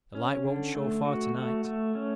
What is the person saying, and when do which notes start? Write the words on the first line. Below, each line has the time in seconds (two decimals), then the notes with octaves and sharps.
"The light won't show far tonight."
0.15 C#4
0.45 D3
0.75 A3
1.05 F#4
1.35 A3
1.65 A3
1.95 C#4